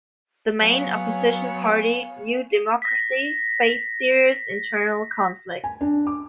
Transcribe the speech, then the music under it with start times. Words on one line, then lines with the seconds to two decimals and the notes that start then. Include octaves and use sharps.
The main opposition party, New Democracy, faced serious internal conflicts.
0.60 F#3 B3 C#5 F5 G#5
2.82 A#6 B6
5.64 G#5
5.81 D4
6.07 D6